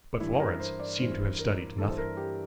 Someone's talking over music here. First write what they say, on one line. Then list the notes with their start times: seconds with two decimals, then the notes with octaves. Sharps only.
But Florence seemed to have studied nothing.
0.20 G2 E3 E4
0.40 A#4
0.60 C5
0.80 D5
0.99 G2 E3 C5
1.39 A#4
1.78 G2 E3 A4
1.88 C5
1.98 A#4
2.17 G4